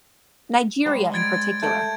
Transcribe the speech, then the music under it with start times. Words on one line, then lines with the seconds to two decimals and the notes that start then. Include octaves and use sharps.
Nigeria in particular.
0.86 G3 G#3 C5 F#5
1.14 G#6 A6 D7
1.62 A3 A4 G5 G6 G#6 D7